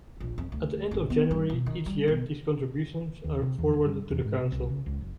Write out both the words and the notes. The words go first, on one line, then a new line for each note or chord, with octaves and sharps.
At the end of January each year, these contributions are forwarded to the councils.
A#1
F2
D2
G#1
B3
G2
B2
D#3
G3
B1
D#2
C3
E2
D#1
G2
E2
G#2
C3
C2
C#3
C#2
F#1